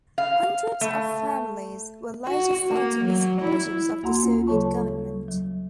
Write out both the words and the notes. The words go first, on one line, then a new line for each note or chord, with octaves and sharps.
Hundreds of families were later found to be supporters of the Soviet government.
F5
A3
F#4
A#3
F#3
E4
D2 A#3 F#4 F#5 A#5 C6
A#3 C#4 F4
C#3 F#3 A4 C#5 A5 C#6
G3
F#3